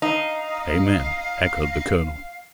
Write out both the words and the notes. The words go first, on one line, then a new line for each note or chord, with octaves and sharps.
"Amen!" echoed the colonel.
D#4 F5